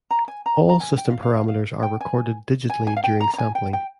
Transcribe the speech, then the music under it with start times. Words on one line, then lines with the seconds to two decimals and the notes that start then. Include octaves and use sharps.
All system parameters are recorded digitally during sampling.
0.11 A#5
0.28 G#5
0.46 A#5
0.69 A#5
0.80 G#5
0.97 G5
1.10 F5
1.22 F5
1.35 F5
1.48 F5
1.83 G5
2.01 G#5
2.70 G#5
2.87 G#5
2.97 F5
3.04 G5
3.21 A#5
3.34 A#5
3.38 G#5
3.55 G5
3.73 G5